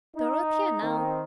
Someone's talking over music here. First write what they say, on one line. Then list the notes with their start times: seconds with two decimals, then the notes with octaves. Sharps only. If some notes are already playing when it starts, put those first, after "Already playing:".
Dorothea, now.
0.16 D#4
0.83 D#3 C4